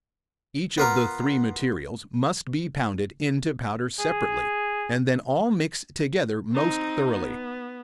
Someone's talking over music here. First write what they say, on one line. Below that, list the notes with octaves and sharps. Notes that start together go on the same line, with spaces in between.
Each of the three materials must be pounded into powder separately, and then all mixed together most thoroughly.
B3 F4 A#4
G#4
C4 D#4
B3